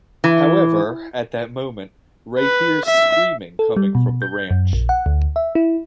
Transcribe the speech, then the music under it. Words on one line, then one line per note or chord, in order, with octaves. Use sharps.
However, at that moment, Ray hears screaming coming from the ranch.
E3
B4
E5
A4
G3
B2
B2
G6
F#2
A#1
F#5
D2
E5
E4